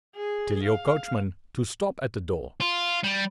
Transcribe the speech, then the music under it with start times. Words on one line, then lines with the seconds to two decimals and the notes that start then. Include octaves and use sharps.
"Tell your coachman to stop at the door."
0.15 G#4
0.64 F5
2.61 F4
3.04 G3